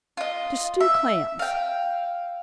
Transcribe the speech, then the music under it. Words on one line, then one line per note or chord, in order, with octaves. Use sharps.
To Stew Clams.
F4 D#5
E5
F5 G5